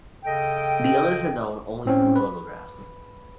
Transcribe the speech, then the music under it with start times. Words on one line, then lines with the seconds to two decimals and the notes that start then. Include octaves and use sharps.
The others are known only through photographs.
0.24 C#3 A4 D#5 G5
1.85 A2 C4 C#4
2.16 B4